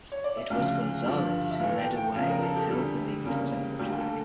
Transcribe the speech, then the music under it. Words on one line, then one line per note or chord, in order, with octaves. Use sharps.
It was Gonzalez who led away and held the lead until the flag.
C#5
D5
E5
D2 C#3 F3 F5
G2 D3 F3
E5
A2 E3 A3 F5
G5
G5
E2 C#3 F3 F5
A#4
A4
G4
E2 D3 G3
E2 C#3 G3 A#3
D2 D3 G3 A#3 G4
A4